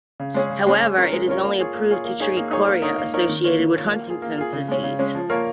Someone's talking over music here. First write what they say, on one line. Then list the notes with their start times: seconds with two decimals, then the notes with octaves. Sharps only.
However, it is only approved to treat chorea associated with Huntington's disease.
0.20 C#3
0.34 G#3 C#4 G#4
0.50 C#3
0.67 G#3 C#4 G#4
0.82 G#3
0.97 C#4 F4 A#4 C#5
1.12 G#3
1.28 C#4 F4 A#4 C#5
1.44 A#3
1.59 F4 G#4 C#5
1.75 A#3
1.90 F4 G#4 C#5
2.05 A#3
2.20 D#4 G#4 C#5
2.37 A#3
2.51 D#4 G#4 C#5
2.68 A#3
2.82 D#4 A#4 C#5
2.98 A#3
3.14 D#4 A#4 C#5
3.29 D#3
3.44 A#3 F4 C#5
3.60 D#3
3.76 A#3 F4 C#5
3.91 A#3
4.07 F4 G#4
4.22 A#3
4.38 F4 G#4
4.53 C#3
4.68 G#3 C#4
4.83 C#3
4.99 G#3 C#4
5.15 F3
5.30 A#3 F4 A#4 C#5